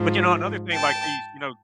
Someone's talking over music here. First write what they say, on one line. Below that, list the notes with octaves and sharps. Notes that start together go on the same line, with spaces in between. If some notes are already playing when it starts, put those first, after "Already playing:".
But you know, another thing, like, these, you know
Already playing: G#2 F3
G5 A5